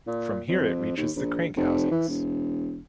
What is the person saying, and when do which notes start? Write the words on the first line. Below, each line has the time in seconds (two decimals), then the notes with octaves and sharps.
From here it reaches the crank housings.
0.07 A#2
0.48 F2
0.97 D#2
1.16 A#1
1.56 F1
1.91 E3
2.08 E1